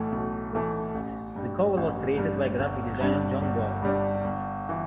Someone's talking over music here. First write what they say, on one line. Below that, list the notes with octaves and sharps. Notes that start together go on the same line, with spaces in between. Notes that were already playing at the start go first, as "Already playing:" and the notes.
The cover was created by graphic designer John Gall.
Already playing: B1 A2 E3 A3
B1
A2 E3 A3
A1
G2 G3
A1
G2 G3
G1
G2 G3 D4
G1
G2 G3 D4
G1
E3